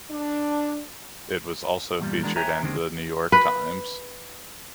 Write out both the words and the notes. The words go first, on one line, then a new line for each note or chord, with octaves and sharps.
It also was featured in the "New York Times".
D4
E2 G2 A#2 G3
E3 G#3 B3 D4 F#4 A#4
B4 C#5 E5 G5 G#5 A#5
D3 D#3 G#3 C4
B4